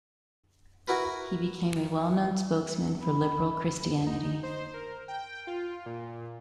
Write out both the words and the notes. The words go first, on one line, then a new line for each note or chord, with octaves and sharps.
He became a well-known spokesman for liberal Christianity.
E4 F#4 A#4 B4
B5
D#4
C5
A#4
G5
F4
A#2